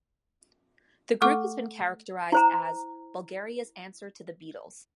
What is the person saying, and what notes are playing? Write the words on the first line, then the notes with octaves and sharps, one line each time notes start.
The group has been characterized as "Bulgaria's answer to The Beatles".
A3 A4 F#5 C#6 D6
E4 C5 A#5